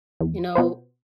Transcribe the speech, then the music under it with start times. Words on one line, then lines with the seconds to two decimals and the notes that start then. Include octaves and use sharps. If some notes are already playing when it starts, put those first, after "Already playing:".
you know
0.21 E2
0.55 B2 B3 F4 C5